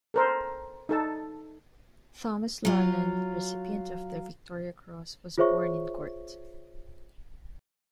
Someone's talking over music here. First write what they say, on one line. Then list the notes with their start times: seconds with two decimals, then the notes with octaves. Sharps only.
Thomas Laughnan, recipient of the Victoria Cross, was born in Gort.
0.14 A4 A#4 C5
0.89 D#4 A4 A5
2.65 F#3 F4
5.38 F4 G#4 C5 C#5 E5 C#6